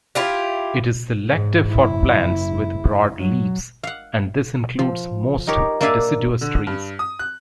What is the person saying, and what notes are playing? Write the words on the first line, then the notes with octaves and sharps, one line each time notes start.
It is selective for plants with broad leaves, and this includes most deciduous trees.
E4 F4 G4
G#2
F#1 E4
F#3
F5 F#5
F3
D#4 G4 A#4 C#5
A#3 D4 D5 E5 F5 G#5
D3
G2
D#6
F#6